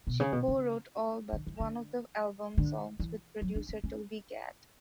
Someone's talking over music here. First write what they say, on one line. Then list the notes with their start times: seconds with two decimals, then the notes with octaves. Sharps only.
She co-wrote all but one of the album's songs with producer Toby Gad.
0.07 B2
0.20 C#3
0.32 B2
0.48 C#3
1.33 D3
1.47 E3
1.60 D3
2.58 D3
3.00 E3
3.42 F#3
3.56 D4
3.69 C#4
3.84 C#4